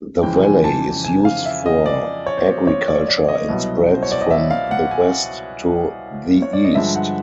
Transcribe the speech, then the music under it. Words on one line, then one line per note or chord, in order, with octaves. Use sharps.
The valley is used for agriculture and spreads from the west to the east.
F2 C#3 E3 G#3 G5
G#5
A5
G#5
F5
E5
D#5
D5
C#5
C5
C#5
C#5
D5
D5
D#5
C2 B2 F#3 B3
C5
C#5
D5
D#5
E5
F5
F#5
G#5
C#5
D5
D#5
G2 D3 F3 G#3 E5
F#5